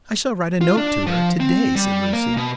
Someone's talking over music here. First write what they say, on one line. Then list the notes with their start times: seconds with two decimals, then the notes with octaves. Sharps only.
"I shall write a note to her to-day," said Lucy.
0.61 F4
0.77 D4
1.07 F3
1.40 C4
1.75 G3
2.13 A#3
2.37 B2